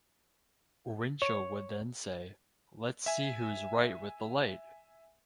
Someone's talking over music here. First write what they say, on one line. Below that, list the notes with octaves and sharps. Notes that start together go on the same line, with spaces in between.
Winchell would then say, Let's see who's right with the light!
C#5
E5 G#5